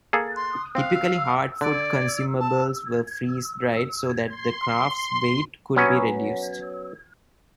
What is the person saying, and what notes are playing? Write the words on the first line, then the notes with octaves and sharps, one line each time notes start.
Typically, hard-food consumables were freeze dried so that the craft's weight could be reduced.
A#3 G#4 A4
C6
C4 F5
D3 D5
A5
C6
F#3 B3 C#4